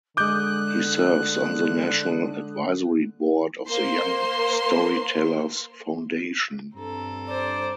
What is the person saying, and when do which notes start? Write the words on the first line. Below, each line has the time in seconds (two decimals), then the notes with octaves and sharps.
He serves on the National Advisory Board of the Young Storytellers Foundation.
0.17 D3 G#3 D6 D#6 F#6 G6
3.67 A#3 C5 C6
6.76 G2 C4 A4 A#5
7.29 C5 D5